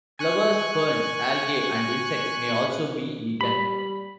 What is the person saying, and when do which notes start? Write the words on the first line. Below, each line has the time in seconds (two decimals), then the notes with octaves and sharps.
Flowers, ferns, algae and insects may also be eaten.
0.19 G#5 C#6 F#6
3.41 G3 B5